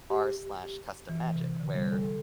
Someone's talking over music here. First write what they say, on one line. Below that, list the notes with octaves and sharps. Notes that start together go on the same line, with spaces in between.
r/custommagic, where,
G4
E3
C3
D3
G3
A4